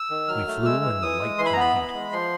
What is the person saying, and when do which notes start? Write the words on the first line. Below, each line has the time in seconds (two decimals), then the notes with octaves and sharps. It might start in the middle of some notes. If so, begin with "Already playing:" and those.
We flew in the light and heat.
Already playing: E6
0.10 D#3
0.28 F#3 F6
0.47 A3
0.65 G#3 E6
0.84 E3
1.02 E3 D#6
1.20 G#3
1.38 E3 C6
1.46 B5
1.53 A#5
1.56 B3 B5
1.76 E3
1.93 G#3
2.12 F3 C6